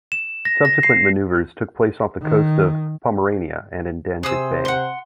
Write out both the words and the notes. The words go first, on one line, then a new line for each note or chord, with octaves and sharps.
Subsequent maneuvers took place off the coast of Pomerania and in Danzig Bay.
E7
A#6
A#6
C7
D#3
C3 G#4 C5 D#6 E6
F#5 C6